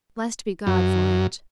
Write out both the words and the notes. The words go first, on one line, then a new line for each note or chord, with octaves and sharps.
Blessed be God for it!
F#2